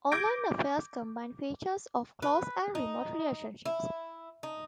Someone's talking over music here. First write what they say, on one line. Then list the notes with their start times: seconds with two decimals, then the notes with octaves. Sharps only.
Online affairs combine features of close and remote relationships.
0.12 D6 G6 G#6 A#6 D7
2.22 B4
2.75 D#4
3.65 E4
4.43 D#4